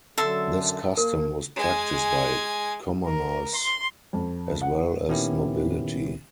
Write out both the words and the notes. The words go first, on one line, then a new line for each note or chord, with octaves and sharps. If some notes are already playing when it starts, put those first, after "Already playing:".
This custom was practised by commoners as well as nobility.
F#2 D3 A4 E5 C6
A#3 A#4
G#3 G#5
A#4
C6
F2
F#5
A#2 D#3 B3 C#4 E4 G4